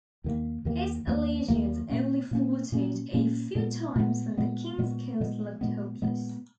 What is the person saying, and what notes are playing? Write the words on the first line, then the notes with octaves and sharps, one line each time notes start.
His allegiance only faltered a few times when the king's cause looked hopeless.
D#2 D#3 A#3
D#2 D#3 A#3
D#2 D#3 A#3
D#2 D#3 A#3
A#2 A#3 C#4
A#2 A#3 C#4
A#2 A#3 C#4
A#2 A#3 C#4
A#2 G#3 B3
A#2 G#3 B3
A#2 G#3 B3
A#2 G#3 B3
A#2 G#3 B3
A#2 G#3 B3
A#2 G#3 B3